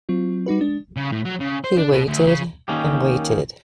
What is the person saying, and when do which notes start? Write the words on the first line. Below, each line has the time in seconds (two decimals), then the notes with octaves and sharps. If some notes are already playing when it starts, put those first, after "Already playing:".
He waited and waited.
0.09 F#3 C4 F4
0.46 G3 D#4 F#4 B4
0.60 G#3 D4
0.96 C#3
1.12 A2
1.25 F#3
1.40 C#3
1.64 C5
1.77 D4
1.92 B2
2.07 D2
2.26 C#3
2.68 D#3 A#3 C#4 D#4 G4